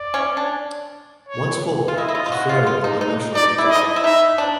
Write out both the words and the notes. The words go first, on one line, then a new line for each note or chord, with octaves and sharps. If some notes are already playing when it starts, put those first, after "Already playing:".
Once full, a fairy will eventually be dropped.
Already playing: D5
C#4
D4
C#5
F4
E4 D#5
E4
F4
F4
F#4
F4
F4
D#4
D#4
D#4 D5
E4
D#5
D#4
E4
E4
D#4 E5
D4